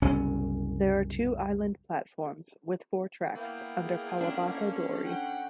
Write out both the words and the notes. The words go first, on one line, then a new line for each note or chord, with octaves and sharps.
There are two island platforms with four tracks under Kawabata Dori.
F#1 C2 B2 C#4
A#3 B3 E4 G5
G#4
D3 C#4 D4
F#5 G5